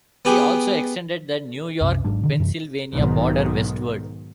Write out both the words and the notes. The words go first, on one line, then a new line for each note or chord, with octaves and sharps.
He also extended the New York - Pennsylvania border westward.
B3 G4 G#4
C2 F#2 C3 C#4
G#1 G#2 F#3 D4
B2 D3 D#3
F#2 C3 E3
B1 G#2 D#3